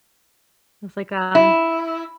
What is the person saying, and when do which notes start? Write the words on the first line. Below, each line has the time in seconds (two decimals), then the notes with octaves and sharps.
I was like, um,
1.35 E4